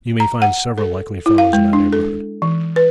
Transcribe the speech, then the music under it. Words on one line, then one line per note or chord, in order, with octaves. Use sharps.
You may find several likely fellows in that neighbourhood.'
A#5
F#5
A4
E4
F5
G#3
D4
A4
E3
B4